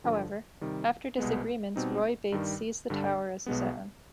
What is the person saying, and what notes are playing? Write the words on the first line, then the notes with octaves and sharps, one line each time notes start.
However, after disagreements, Roy Bates seized the tower as his own.
G2 D3 F3
C3 D#3 G3
C2 B2 G#3 B3
B2 G3 C4 D#4
G2 D#3 G3
G2 D3 G3 D4
B1 B2 G#3 B3